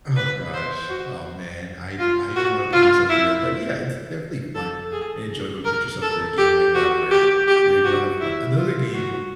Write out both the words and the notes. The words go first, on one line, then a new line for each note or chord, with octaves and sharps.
Oh, gosh. Oh, man. I I don't wanna put myself through that. But, yeah, it's definitely fun and enjoyable to put yourself through a game like that where you're able to have fun. Another game,
B4
C5
F#4
F4
F#4
F4
E4
A4
G#4
A#4
A4
G4
F#4
G4
G4
F#4
E4
F4
F#4